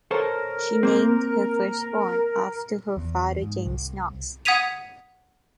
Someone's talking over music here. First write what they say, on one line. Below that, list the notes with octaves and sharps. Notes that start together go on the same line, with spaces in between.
She named her firstborn after her father James Knox.
A4 A#4 C5 C#5
A#3 C4
E2
G#2
C2
F#5 D#6 G#6 B6 D#7 F7